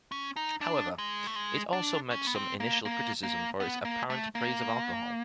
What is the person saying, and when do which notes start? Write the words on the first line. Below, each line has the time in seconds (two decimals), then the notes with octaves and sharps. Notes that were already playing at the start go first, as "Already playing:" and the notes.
However, it also met some initial criticism for its apparent praise of alcohol.
0.12 C#4
0.36 D#4
0.61 D4
0.98 G#3
1.27 A3
1.36 G#3
1.73 D4
2.11 C#4
2.27 B3
2.36 C4
2.60 A#3
2.85 A#3
3.23 A#3
3.60 B3
3.85 A#3
4.10 A3
4.35 A#3